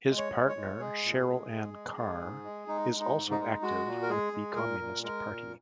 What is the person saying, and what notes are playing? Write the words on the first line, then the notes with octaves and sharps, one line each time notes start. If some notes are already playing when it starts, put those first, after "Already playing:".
His partner, Cheryl-Anne Carr, is also active with the Communist Party.
G#3
C#5
G#3
C#5
G#3
G#3 G#4
A#2
G#3
G#3
G#3
G#3
G#2
G#3
G#3 D#4
G#3
D#4
G#2
D#4
G#3
G#3 F#4
A#2
A#4
G#3 G#4
G#3
A#2 A#4
A#2
G#3 A#4
A#2